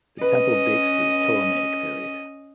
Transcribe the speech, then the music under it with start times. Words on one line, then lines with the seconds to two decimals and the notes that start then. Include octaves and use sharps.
The temple dates to the Ptolemaic period.
0.21 C#4 B4 D#5